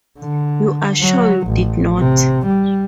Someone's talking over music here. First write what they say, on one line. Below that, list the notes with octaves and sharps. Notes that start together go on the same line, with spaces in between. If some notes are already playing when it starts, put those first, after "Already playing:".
You are sure you did not?
D3
F#3
A1
C3
G3